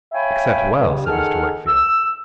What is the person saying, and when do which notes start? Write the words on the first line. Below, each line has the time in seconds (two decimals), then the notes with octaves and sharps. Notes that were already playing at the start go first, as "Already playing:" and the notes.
'Except well?' said Mr. Wickfield.
0.12 C#5 E5 F5 G5 G#5 B5
0.79 G2 C#3
1.06 D#3 G#4 A4 F#5 F6
1.66 E6